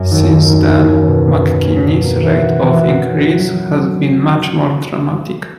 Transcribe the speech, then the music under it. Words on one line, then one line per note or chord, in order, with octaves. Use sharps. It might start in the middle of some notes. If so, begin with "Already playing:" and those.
Since then, McKinney's rate of increase has been much more dramatic.
Already playing: F#2 C#4
D#2
D#3
A#3
D#2
C#4
B2
B2
B2
C#4
B2
A#3
E3
F#4
E3
F#4
C#4
F#4
F#3